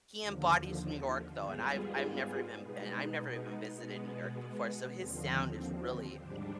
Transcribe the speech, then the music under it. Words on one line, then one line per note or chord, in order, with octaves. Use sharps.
he embodies New York though, and I've I've never even been I'm never even visited New York before. So, his sound is really
D#2 D3 F3
G#2 G3 B3 F4 G#4
B2 G#3 B3 D#4
B2 G#3 B3
D#2 D3 F3 C4
G#2 G3 D4